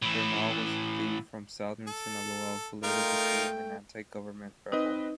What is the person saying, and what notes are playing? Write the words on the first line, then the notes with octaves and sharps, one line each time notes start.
Bernal was a thief from southern Sinaloa who later became an anti-government rebel.
A2 E3
A4
A3 D#4 F4 A#4 G5
C4 D#4 B4 D#5